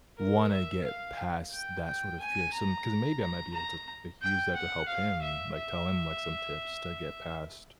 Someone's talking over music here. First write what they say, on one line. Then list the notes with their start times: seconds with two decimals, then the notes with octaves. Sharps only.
wanna get past that sort of fear? Some 'cause maybe I might be able to, like, use that to help him, like, tell him, like, some tips to get past,
0.18 A#4
0.52 E5
0.85 F5
1.52 G5
1.85 G5
2.20 G#5
2.54 A#5
3.21 A#5
3.54 A#5
4.22 G5
4.55 F#5
4.88 F5
5.22 E5
5.55 E5